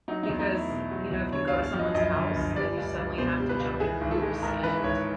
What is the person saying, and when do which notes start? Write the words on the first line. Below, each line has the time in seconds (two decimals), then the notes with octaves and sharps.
Because, you know, if you go to someone's house, then you suddenly have to jump through hoops and
0.08 F#3 D#4
0.23 D#4
0.29 E2
0.39 D#4
0.49 A3
0.55 E4
0.70 B2
0.91 F#3
1.11 E2
1.32 D3 C#5
1.47 F5
1.53 G1
1.63 F5
1.74 F3
1.79 D#5
1.95 F#2 D#5
2.15 D3
2.36 G1
2.56 G3 D5
2.77 C#2
2.98 C#2
3.18 B2 C5
3.40 G3
3.49 B4
3.60 C#2
3.80 E3 G#4
4.01 G#1
4.11 A4
4.22 G#3
4.43 G#2 A#4
4.64 E3 B4
4.84 G#1 C#5